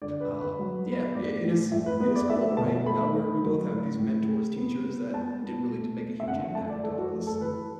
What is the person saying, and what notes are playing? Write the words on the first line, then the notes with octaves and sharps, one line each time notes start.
um, yeah, i it is it is cool, right? Tha we're we both have these mentors, teachers that did really did make a huge impact on us.
D3 D5
B4
D3
B4
F#3
B3
A2 D5
A2
A2 E5
B4
B3 B4
D5
A3 E5
B2 A5
A3 B5
A3
F#3
A2
A2
A3
B3
B3
B3 A5
B3
A3
A3
E5
D3 F#5
E5
A3 A5
D5
E3 A4
F#4
A3 A4
A4
E3 B4